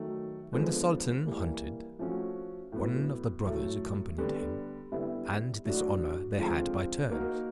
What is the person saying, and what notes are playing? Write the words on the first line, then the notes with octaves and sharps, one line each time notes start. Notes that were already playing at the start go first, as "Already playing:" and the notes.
When the sultan hunted, one of the brothers accompanied him, and this honour they had by turns.
Already playing: D#3 F#3 A3
D3 F3 G#3 B3
E3 G3 A#3
F3 A3 C#4 F#4
A2 F#3 B3
A2 F#3 A3
D3 G3 B3
D3 G3 B3 E4
A2 F#3 A3 D4 F#4
D3 F3 G#3 C4 F4
A#3 D#4 F#4 A#4